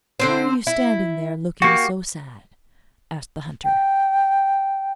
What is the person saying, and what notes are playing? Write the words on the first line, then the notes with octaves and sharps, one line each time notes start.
'Why are you standing there looking so sad?' asked the Hunter.
D3 C4 C5
E4
A#3 F#4 G4
G5